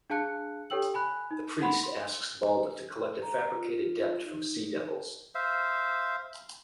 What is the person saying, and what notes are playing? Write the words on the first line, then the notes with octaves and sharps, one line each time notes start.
The Priest asks Balda to collect a fabricated debt from sea devils.
D4 G#4 F5 A5 F#6 C#7
G4 A4 C#5 G5 E6 F#7
G#5 B5 F#6
D#4
D#4 F#5 B5 C6
C6
A#5
F4
D#4
C5 E5 F5